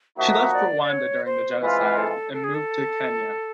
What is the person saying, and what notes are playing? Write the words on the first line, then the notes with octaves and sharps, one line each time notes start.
She left Rwanda during the genocide and moved to Kenya.
F3 A#3 D#4 F#4 E5
D5
D5
C#5
C5
E3 G#3 C4 F4 B4
A4
A4
G#4
A4